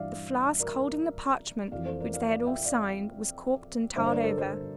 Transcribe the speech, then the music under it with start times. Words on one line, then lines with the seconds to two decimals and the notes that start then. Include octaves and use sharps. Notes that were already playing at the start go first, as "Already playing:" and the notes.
The flask holding the parchment which they had all signed was corked and tarred over.
Already playing: G2 E3 D5 E5 F5
0.60 A#4 D5
1.72 F2 E3 D5 F5
1.86 A4 C5
2.00 A#4 D5
2.14 D5 F5
2.28 D5 F5
2.46 E5 G5
2.65 D5 F5
3.96 G2 D3 C5 E5
4.06 C5
4.10 A#4 D5
4.24 A4 C5
4.38 A4 C5